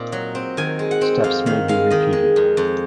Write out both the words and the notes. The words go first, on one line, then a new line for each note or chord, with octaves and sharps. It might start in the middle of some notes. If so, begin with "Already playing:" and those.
Steps may be repeated.
Already playing: A#2 C4 D#4
F#3
C4
D#3 G#5
G#3
F#5
C4
F2 F5
D#3 F5
G#3 F5
D#3 D#5
G#3
F2
F2